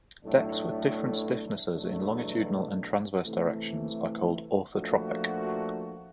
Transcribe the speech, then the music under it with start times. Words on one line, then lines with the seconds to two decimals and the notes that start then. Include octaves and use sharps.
Decks with different stiffnesses in longitudinal and transverse directions are called 'orthotropic'.
0.23 B1 A2 F#3 A3 D4
1.73 E2 B2 F#3 A3 D4
3.24 C3 E3 A3
4.74 A#2 F3 A3 D4 F#4